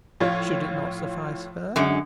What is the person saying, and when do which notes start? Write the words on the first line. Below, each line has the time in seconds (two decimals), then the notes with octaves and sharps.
Should it not suffice her?
0.20 A2 F3 F4 C#5
1.76 F#2 D3 G#3